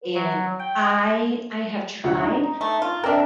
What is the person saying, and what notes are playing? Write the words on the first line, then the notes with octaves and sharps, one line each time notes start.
And I I have tried,
F#3
G5
D2 F#3 F#5
D#4 A#5
A3
F4
C4 D4 A#4 D#5 E5